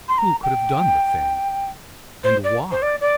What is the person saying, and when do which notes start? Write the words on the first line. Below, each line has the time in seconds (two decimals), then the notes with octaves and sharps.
Who could have done the thing--and why?
0.08 C6
0.18 A#5
0.43 G5
2.23 C5
2.44 D5
2.71 C5
2.82 D5
3.01 D5